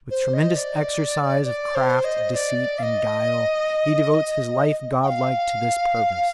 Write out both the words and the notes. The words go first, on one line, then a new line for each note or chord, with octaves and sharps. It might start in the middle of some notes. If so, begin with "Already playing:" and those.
With tremendous exercise of craft, deceit, and guile, he devotes his life godlike to this purpose.
C5
D#5
D5
D5
C5
D#5
D5
F5
D#5
G5
F5